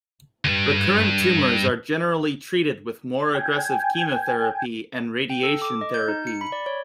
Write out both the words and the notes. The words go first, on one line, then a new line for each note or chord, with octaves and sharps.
Recurrent tumors are generally treated with more aggressive chemotherapy and radiation therapy.
D2 G2
G5 G#5
G5
A4
D6
D#5
G6
D#4
C#7
B5
D5
C#5